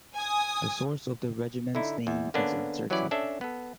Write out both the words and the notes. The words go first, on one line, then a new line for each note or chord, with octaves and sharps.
The source of the regiment's name is uncertain.
G#5 D#6
D3 D#4 E4
E2
D3 A#3 B3 C#4 D4
E3 F#3 G3 C#4 E4 D5
C#4 D4 A4 E5
B3 A4